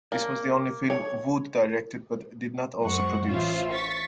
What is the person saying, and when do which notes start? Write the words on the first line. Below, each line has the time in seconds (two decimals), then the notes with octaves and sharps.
This was the only film Wood directed but did not also produce.
0.12 A#3
0.90 C#5
2.80 F#2 G#3 C5 F#5 C#6
3.25 A1 E3 C#4 F4 C5 E5
3.70 C#6 A6 B6